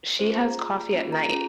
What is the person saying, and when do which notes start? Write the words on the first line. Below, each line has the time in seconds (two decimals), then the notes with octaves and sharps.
she has coffee at night,
0.19 C#4 F4 G#4 C5
0.38 A#5
0.57 A#3 F4 G#4
0.94 A#3 C#4 F4 G#4
1.12 A#5
1.32 C#4 F4 G#4